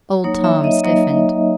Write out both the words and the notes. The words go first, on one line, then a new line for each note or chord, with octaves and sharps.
Old Tom stiffened.
F#3 A#3 D#4 C#5
E5
D#5
F#3 A#3 D#4 D#5